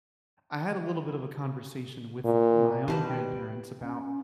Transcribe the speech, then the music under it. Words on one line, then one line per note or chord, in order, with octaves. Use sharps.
I had a little bit of a conversation with my own grandparents about
A#2
B2 D#3 G3 C4 B4 A5
G5
C#4